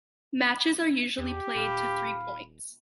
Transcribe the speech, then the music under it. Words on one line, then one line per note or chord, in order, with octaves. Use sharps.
Matches are usually played to three points.
E2 G4
D#1 F5 B5